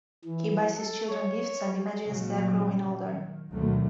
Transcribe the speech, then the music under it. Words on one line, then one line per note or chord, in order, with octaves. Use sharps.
He buys his children gifts and imagines their growing older.
E3
A4
C#5
A#2 C#3 F#3
D#3
D2 B2 D3 D#3 F#3 A3